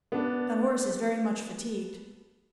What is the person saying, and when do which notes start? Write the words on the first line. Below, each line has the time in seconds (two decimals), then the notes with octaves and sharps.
"That horse is very much fatigued."
0.12 B3 D4